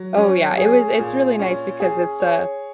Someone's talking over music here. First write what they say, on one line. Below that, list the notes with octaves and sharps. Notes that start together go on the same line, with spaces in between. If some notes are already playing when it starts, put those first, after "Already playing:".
Oh, yeah. It was it's really nice because it's, uh,
Already playing: F#3
C#4
G#4
A#2
C#4
G#4
C#5